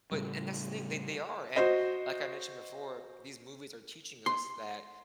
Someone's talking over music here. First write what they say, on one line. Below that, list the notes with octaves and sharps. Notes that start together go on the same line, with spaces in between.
But and that's the thing, they they are. And, like I mentioned before, these movies are teaching us that
A2 C#3 G3
F#4 C5 D#5
C6